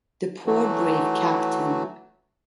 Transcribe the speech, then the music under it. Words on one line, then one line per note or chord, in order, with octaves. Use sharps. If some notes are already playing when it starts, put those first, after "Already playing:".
The poor, brave Captain!
E3 F#3 A3 F#4